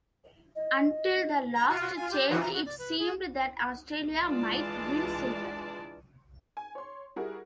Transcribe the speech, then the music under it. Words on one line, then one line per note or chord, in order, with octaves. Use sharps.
Until the last change, it seemed that Australia might win silver.
D#5
A#5
F#4
F#4
G#5
G4
F#4
A#5
F#4
D5
B4
G#4
E3 G#3 D4 F4 D5 A5
G#5
C#5 C6
G3 E4 F#4 G#4 A#4